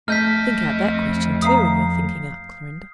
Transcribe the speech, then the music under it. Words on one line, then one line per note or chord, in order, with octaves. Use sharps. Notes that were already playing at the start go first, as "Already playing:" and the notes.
"Think out that question, too, in your thinking out, Clorinda."
F2 A3 D#5 A5 F6 G6 B6
E5 F5 A#5 D#6 C7